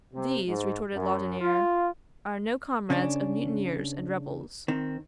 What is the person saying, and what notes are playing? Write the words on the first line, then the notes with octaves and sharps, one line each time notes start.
"These," retorted Laudonniere, "are no comrades of mutineers and rebels."
C3
G#2
F#2
F4
C#3 C#4 D4
D#3 C4